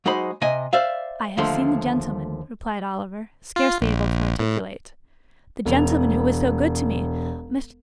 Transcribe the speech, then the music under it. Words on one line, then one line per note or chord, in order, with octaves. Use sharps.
'I have seen the gentleman,' replied Oliver, scarcely able to articulate, 'the gentleman who was so good to me--Mr.
F#3 G#3 D#4 C5 B5
C3 D#5 G#5
C5 D5 E5 F5
D#2 D3 F3 A3 C6
F4
A#1
A2
E1 F7